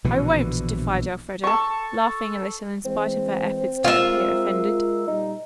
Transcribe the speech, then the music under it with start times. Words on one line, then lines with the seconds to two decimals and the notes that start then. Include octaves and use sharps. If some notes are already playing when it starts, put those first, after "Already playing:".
"I won't," defied Elfreda, laughing a little in spite of her efforts to appear offended.
0.04 A#1 B2 D3 E3
1.44 A4 C#6
2.85 E3 G#3 C4
3.84 G#3 F4 A#4 E5
5.07 A#2 G3 D#4